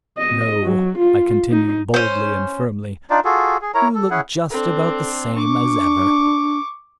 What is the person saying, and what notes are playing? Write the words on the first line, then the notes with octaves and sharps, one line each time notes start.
"No," I continued boldly and firmly, "you look just about the same as ever."
D#5
F#3
F4
D#4
C#4 C5
D4 D#4 F4 D5
F4 F#4 G#4 A4
G#4
E4 A#4 C#5 A#5
A4
C#4 E4 G#4 F#5
C4 D4 A4
D4 C#6 D6